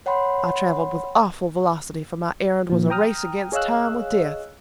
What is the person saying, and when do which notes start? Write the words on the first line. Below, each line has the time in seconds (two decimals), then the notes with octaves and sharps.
I traveled with awful velocity for my errand was a race against time with death.
0.06 C#5 F#5 G5 B5 C6
2.70 A#2 F3
2.90 G5 A#5 D#6 F6
3.52 G#4 C#5 D#5 F5 E6 F#6